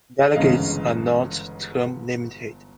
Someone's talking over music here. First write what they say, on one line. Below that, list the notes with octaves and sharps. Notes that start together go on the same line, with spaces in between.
Delegates are not term-limited.
G1 G#2 C#3 E3 D#5 F5